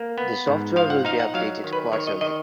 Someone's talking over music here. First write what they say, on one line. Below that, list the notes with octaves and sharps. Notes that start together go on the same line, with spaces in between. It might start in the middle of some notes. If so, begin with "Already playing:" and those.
The software will be updated quarterly.
Already playing: A#3
B3
G#2
F3 F5
F#5
D#4 F5
F#5
F#3 F5
D#3
B4
D#3 C#5
D#5
D#3 D#5